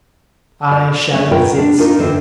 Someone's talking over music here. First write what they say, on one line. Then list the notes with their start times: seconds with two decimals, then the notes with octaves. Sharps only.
I shall exist.
0.71 D5
1.13 A3 C#4
1.31 F4 A#4 B4 C#5 F#5 G5
1.58 D4
1.78 D4 D#4 F4 A#4
1.98 E2 D3 C4